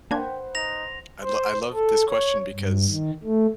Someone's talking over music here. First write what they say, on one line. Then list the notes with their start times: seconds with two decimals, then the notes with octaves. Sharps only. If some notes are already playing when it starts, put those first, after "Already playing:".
I lo I love this question because
0.11 A#3 D4 B4 C5 F#5 G5 G#6
0.55 D#4 A#6 F7
1.23 C5
1.74 A4
2.09 C#5
2.52 G2
2.87 D#3
3.24 A3